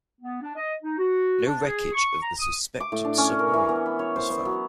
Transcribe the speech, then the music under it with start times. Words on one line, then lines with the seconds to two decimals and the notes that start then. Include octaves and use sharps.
No wreckage of the suspected submarine was found.
0.21 B3
0.42 D4
0.56 D#5
0.83 D#4
0.98 F#4
1.46 D4
1.65 G#4
1.93 C#6
2.22 A#5
2.39 D#6
2.80 D6
2.92 A2
3.05 D4
3.18 C#4
3.39 A#4
3.54 E3
3.69 B3
3.86 B5
3.99 C#5
4.16 C5
4.30 B3
4.45 F#3